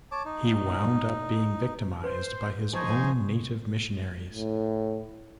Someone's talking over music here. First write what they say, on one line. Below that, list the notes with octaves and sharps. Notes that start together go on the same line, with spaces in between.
He wound up being victimized by his own native missionaries.
C#5 A5 D6
D#4
B4 C5
F3 D#4 C5 G#5 C#6
A2